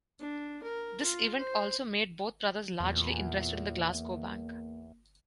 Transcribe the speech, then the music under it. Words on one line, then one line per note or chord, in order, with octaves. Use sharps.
This event also made both brothers largely interested in the Glasgow Bank.
D4
A#4
F4
C5
E2 A#2
A#3